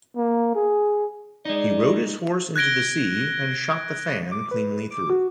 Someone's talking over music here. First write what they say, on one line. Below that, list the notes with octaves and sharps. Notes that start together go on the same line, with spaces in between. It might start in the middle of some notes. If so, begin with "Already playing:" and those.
He rode his horse into the sea and shot the fan cleanly through.
A#3
G#4
G#3 D#4 D5
F#6 G#6 A#6 D7 G7
D6
B4
D6
F#4